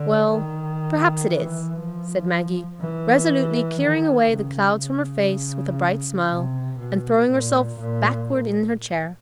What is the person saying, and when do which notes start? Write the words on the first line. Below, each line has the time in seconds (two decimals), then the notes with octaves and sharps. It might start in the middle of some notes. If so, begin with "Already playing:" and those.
"Well, perhaps it is," said Maggie, resolutely clearing away the clouds from her face with a bright smile, and throwing herself backward in her chair.
Already playing: D3
0.31 D#3
1.31 E3
1.80 F3
2.80 E3
3.80 D#3
4.30 C#3
4.80 C#3
6.30 C3
6.79 B2
7.29 A#2
7.80 A#2